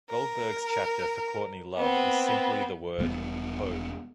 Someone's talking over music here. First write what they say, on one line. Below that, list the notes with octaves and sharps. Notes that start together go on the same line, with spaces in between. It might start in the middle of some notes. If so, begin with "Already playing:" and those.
Goldberg's chapter for Courtney Love is simply the word "ho".
A#4
B3 C4
E1 G3 B3